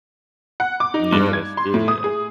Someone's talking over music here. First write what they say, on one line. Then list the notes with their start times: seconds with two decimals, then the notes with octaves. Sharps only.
Yeah, that's true, yep.
0.60 F#5
0.80 D6
0.94 D#4
1.12 G2
1.33 G#6
1.57 C6
1.74 A2
1.88 D#6
2.04 G#4